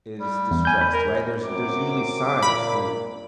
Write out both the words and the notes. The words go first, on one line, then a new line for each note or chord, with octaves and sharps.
is distressed, right? There's there's usually signs when
G3
E2
G#5 G6
B5
A#4
F#2 C4 A#4 D6
A#2 B5